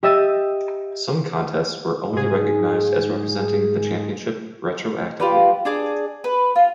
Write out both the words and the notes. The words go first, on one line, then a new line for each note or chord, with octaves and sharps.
Some contests were only recognised as representing the Championship retroactively.
G4 D#5 E5 E6 A6 D#7
G#2 G#4
F4 G4 B4 D5
D4 G#4 D6
B4
F4